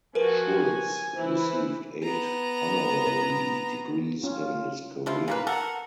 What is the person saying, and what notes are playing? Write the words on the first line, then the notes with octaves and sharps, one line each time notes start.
Schultz received eight honorary degrees in his career.
F3 F#4 A#4 B4 G#5
E3 E4 C5
B3 A#5
C#4 F4
F3 E4 F4
C#3 A#3 B4 F5
A4 A#4 F#5